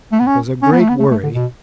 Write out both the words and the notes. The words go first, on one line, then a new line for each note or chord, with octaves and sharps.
It was a great worry.
A3
B3
C#4
C#4
B3
A3
B3
A3
A3
D3
B2